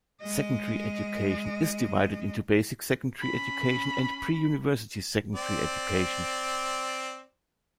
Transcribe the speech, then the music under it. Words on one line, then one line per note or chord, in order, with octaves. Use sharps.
Secondary education is divided into basic secondary education and pre-university secondary education.
G#3 D#5
C#4 B5
C4 D5